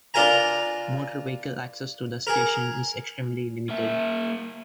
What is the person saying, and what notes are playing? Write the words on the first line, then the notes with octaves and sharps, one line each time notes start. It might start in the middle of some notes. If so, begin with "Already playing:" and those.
Motor vehicle access to the station is extremely limited.
D4 F4 A#4 G#5 A#5
G#4 A#4
A#3 E5